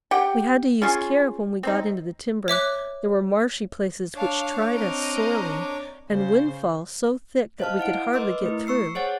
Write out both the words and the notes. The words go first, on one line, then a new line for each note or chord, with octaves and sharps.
We had to use care when we got into the timber; there were marshy places which tried us sorely, and windfall so thick that we could hardly get through.
G4 F#5 G5
C#4 F4 G#4
C4 D#4
C#5 E5 D6 F#6
D4 C#5 F5 A5 D6
C4 A#4 D#5
C#3 C5
C5 D#5 F5 A5 F6
E4 F#5 D7
A#4 B4 D#5 C6 D6 E6
A3 E4
C#6 E6 C7 C#7
G#4 C5 C#5 F#5 A6